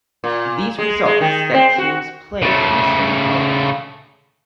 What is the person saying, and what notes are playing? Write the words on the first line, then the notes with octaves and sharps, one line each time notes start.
These results that teams played in the same color.
A#2
G#3
G#3
D#3
C4
F#4
C#3 A3